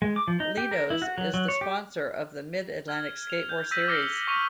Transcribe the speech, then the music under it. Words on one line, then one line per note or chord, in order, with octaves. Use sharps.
Ledo's is the sponsor of the Mid-Atlantic Skateboard Series.
G#3
D6
F3
D#4
G4
A#4
E4
F#4
F#3
F#3
C#5
G4
F6 G#6
F7
G6
E6 G6 A#6 B6 D#7
D6 E6 F6 A#6 C#7 G7
C#6 A#6 B6 C#7 D#7 F7